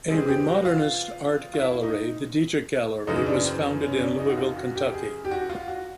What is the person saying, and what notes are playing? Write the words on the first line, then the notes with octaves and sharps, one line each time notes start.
A Remodernist art gallery, The Deatrick Gallery was founded in Louisville, Kentucky.
C3 E3 G#3 C4 G#4
G4
F#4
F4
F4
E4
D#4
F#2 C#3 E3 G#3 D#4
D4
C4
C#4
C#4
D4
D#4
F#4
F4
F#4
G4
G#4
G4
F#4
F4
F#4